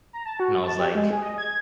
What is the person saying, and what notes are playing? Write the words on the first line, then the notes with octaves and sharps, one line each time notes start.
and I was like
A#5
A5
F#4
A5
G4
G#3
G#4
D#5
G#6